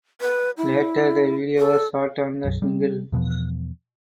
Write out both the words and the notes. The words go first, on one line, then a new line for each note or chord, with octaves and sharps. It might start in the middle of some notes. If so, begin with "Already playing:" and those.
Later the video was shot on the single.
B4
E4
A4
B1 F#2
G3 B3 C4
E2 B2 F3 B3